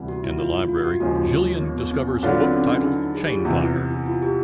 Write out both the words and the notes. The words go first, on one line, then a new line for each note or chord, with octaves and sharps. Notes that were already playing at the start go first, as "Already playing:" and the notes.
In the library, Jillian discovers a book titled Chainfire.
Already playing: D2 C3 E3 G3 B3
F#4
E4
F4
F4
F#4
D#2 C#3 F3 G#3 F#4
F4
B3
B3
C4
D3 F#3 B3 D4 F4
C4
C#4
D4
D#4
G#4
G4
F4
E2 C3 E3 E4
E4
E4
E4
F4
G4